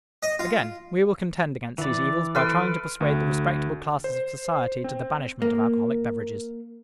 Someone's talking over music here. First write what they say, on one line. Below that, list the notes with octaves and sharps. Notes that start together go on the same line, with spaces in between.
Again: we will contend against these evils by trying to persuade the respectable classes of society to the banishment of alcoholic beverages.
D#5
F4
E3 D5
A4 B4 C6 F6 D7
D2
C5
C4
A#3